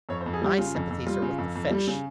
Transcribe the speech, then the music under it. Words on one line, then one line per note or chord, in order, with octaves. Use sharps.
"My sympathies are with the fish."
F2 C#5
C5
F2
G#4
G3 G4
C#3 F4
F2
F2
G3 F4
C#3
F2
F2
G3
C#3